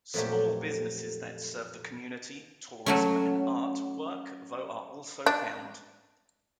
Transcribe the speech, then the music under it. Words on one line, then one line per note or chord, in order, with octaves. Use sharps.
Small businesses that serve the community, tourism, and art work though are also found.
F2 A#2 F#3 A3 G4
F#3 A3 C#4
D4